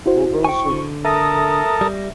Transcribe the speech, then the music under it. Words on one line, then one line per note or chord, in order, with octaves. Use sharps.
Well, those are
E4 F#4 C5
G5 G#5 C#6
D3
A4 A#4 E5 D#6 A#6
G3